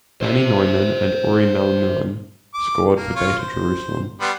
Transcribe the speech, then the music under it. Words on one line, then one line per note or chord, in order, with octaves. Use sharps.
Danny Noyman and Uri Malmilian Scored for Beitar Jerusalem.
C5 E5
D6
A#3
F4 C#5
C5
G3 B3 C6